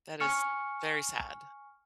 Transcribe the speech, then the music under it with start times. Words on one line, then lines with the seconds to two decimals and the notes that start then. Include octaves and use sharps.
That is very sad,
0.20 G#5 C#6 F6 C#7